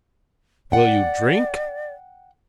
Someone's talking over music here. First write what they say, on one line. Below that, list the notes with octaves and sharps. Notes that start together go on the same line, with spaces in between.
"Will you drink?"
D5 F#5 G5